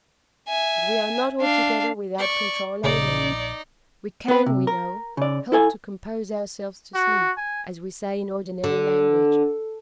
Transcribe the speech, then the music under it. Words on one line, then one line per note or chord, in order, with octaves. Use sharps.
But we are not altogether without control over them. We can, we know, help to compose ourselves to sleep, as we say in ordinary language.
E5 G#5
D4 F5
D5 C#6
A#1 C#3 D#4 D5
B3 B4
C3
A#4
C#3 D5
E4 A4 G#5
F#4
G#5
D3